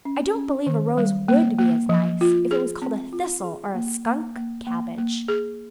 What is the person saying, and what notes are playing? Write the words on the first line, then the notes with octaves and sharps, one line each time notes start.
I don't believe a rose WOULD be as nice if it was called a thistle or a skunk cabbage.
C#4
C#4
D#3
G3
A#3
A#3
F3
F4
G#4
C4
F4
G#4
A#3
A#3
A#3
A#3
A#3
G#4